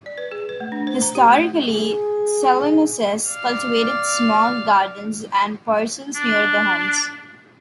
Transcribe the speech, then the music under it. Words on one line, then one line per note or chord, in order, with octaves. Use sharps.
Historically, Saloenses cultivated small gardens and parcels near their homes.
D5
B4
G#4
B4
A3
D4
C5
A#5
G4
A3
G#4
D5 F5
D4